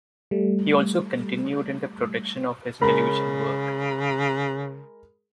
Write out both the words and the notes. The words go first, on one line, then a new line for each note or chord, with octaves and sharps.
He also continued in the production of his television work.
G3 A3
C#3 G#3 A#4 B5